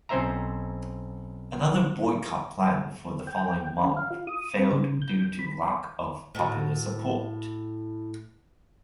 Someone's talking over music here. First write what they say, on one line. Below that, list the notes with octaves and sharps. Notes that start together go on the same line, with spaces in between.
Another boycott planned for the following month failed due to lack of popular support.
B1 C4 C#4 C5 E5 A#5
G5
C#4
F5
F4
D#6
C4
C#3
G6
B5
A2 F#4